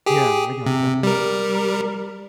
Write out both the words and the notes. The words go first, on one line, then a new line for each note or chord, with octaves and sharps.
Yeah, I gotcha.
G4 G#4
C3
G3 A#4